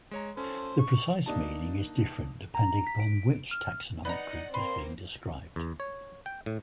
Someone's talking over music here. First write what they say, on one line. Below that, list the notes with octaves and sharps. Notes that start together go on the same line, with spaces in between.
The precise meaning is different depending on which taxonomic group is being described.
G#3 C#5 A#5
C#4 A4 C5
C#6
A#3 D4 D#4 A5
A#5
B6
D7
F6
D#4 B4 D5 D#5 F#5 A#5
A#3 C4 B4 C5 C6
E2
C#5
G5
A2